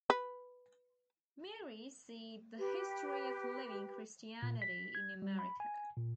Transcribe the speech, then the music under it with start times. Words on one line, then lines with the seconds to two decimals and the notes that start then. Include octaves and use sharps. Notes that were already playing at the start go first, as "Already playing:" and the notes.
Marie see the History of Living Christianity in America.
0.10 B4
2.58 G4 B4
4.42 A#2
4.62 B6
4.95 G#6
5.22 G3
5.39 B5
5.60 G#5
5.97 A#2